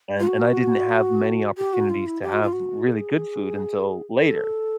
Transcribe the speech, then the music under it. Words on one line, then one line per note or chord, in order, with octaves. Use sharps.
and and I didn't have many opportunities to have really good food until later
F4
F#4
G4
F#4
F4
E4
G4
F#4
F4
F#4
A4
G#4
A4